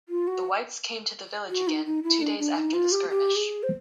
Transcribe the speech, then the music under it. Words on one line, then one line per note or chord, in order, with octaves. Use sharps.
The Whites came to the village again two days after the skirmish.
F4
F#4
F#4
D#4
D#4
E4
D4
D4
D#4
F4
G4
G4
G#4
C5